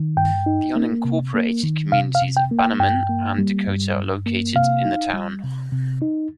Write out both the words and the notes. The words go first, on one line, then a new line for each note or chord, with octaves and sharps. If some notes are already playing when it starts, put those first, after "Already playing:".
The unincorporated communities of Bannerman and Dakota are located in the town.
Already playing: D#3
G2 G5
D#4
A#3
C3
A#3
D#3
C3 F5
F5
C3
G5
A#3
G5
G2 G5
A#3
G3
G2
G2
A#3
C3 F5
D#4
G3
C3
C3
D#4